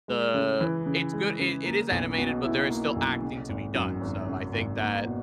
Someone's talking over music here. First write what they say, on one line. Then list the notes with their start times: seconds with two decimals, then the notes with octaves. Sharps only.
The it's good it it is animated, but there is still acting to be done, so I think that
0.08 G#3
0.34 C#3
0.61 E3
0.86 C#3
1.13 G#3
1.39 C#3
1.65 A#3
1.92 B1
2.18 B2
2.44 E4
2.70 A#3
2.96 B1
3.22 C#3
3.49 G#1
3.75 F#2
4.01 G#1
4.27 C#3
4.53 G#1
4.80 A#3
5.06 B2